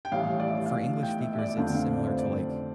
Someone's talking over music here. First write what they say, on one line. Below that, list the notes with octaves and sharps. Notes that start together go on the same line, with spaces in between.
for English speakers, it's similar to, like,
G5
A1 A2 G3 F5
D5
E5
F5
G5
E5
E5
D5
F2 D3 A3 C4 F5
G5
F5
D5
C5
D5